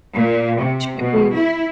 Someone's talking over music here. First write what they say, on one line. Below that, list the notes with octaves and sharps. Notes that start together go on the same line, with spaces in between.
She could be
A#2
C3
B2
E4